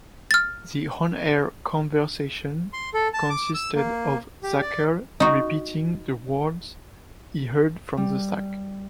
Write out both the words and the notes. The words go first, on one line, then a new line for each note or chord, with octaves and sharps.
The on-air conversation consisted of Zacherle repeating the words he heard from the sack.
F6 A6
C6
A4
A5
D6
E6
A#3
G4
D5
D#4 F#4
G3